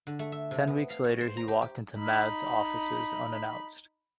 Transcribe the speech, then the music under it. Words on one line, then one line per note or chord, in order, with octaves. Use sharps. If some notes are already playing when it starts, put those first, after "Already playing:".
Ten weeks later, he walked into "Mad"'s offices unannounced.
D3
A3
E5
C3
B3
F5
C#5
C5
A#5
G4
G4
D#4 B5